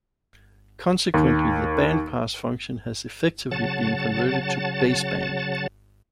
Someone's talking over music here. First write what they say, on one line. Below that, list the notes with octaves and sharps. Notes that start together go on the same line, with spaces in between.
Consequently, the bandpass function has effectively been converted to baseband.
D#2
C#3 F#3 F#5 A5 A6